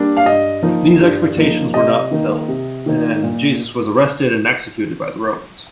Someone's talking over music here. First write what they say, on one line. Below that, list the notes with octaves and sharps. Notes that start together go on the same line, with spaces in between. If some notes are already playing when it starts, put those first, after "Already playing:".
These expectations were not fulfilled and Jesus was arrested and executed by the Romans.
Already playing: G3 A#3 D4
F5
G2 D#5
F3 A#3 D#4
G2
F3 A#3 D#4
C3 D#5
D#3 A#3 D#4
C3
D#3 A#3 D#4
A#2